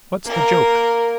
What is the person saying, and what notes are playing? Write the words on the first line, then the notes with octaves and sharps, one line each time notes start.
"What's the joke?"
A#3 A#4